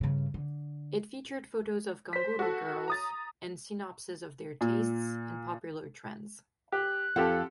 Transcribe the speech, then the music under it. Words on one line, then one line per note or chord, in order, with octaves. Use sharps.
It featured photos of "ganguro" girls and synopses of their tastes and popular trends.
G2 C#3
D3
C5 B6
F#4 A4
A#5 D#6 A6
A#2
G4 F#6
F2 F4 G4 A4 F#5